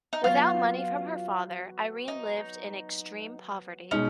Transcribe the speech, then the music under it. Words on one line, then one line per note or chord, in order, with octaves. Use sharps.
Without money from her father, Irene lived in extreme poverty.
D#4
F#3 B3 F4 F#4
D#4
B2 G#3 C#4 D#4